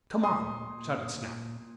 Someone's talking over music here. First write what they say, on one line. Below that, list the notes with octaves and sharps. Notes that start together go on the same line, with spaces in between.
"Come on!" shouted Snap.
A#2 C6 D#6
A#2
A#2
A#2